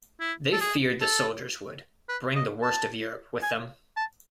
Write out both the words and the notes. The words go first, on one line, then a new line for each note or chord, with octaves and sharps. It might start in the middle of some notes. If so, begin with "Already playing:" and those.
They feared the soldiers would "bring the worst of Europe" with them.
E4
A4
G#4
A4
B4
D#5
A5
G#5
A5